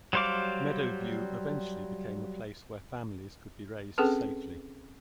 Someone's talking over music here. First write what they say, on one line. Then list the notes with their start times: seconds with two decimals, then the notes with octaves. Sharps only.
Meadowview eventually became a place where families could be raised safely.
0.13 F#3 G3 C5 F5 D6
3.98 C4 C#4 G#4 A4 B4 A5